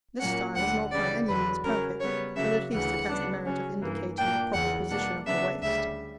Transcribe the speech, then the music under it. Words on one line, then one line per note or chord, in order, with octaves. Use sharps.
This style is not by any means perfect, but at least it has the merit of indicating the proper position of the waist.
A#2 F#3 A#3 C#4 F#5
D2 D3 G3 F#5
C#3 E3 G3 D5
E2 D3 F#3 B4
C#3 F#3 C#4 A#4
C#3 G3 B3 C#5
C#3 F#3 A#3 E5
D2 C#3 E3 F#5
C#3 G3 B3 D4
C#3 F#3 C#4
G2 E3 A#3
A#2 A#3 D4 G5
E2 C#3 E3 F#5
B2 G3 A#3 D4 F#5
C#3 F#3 B3 D4 E5
D2 C#3 G3 E5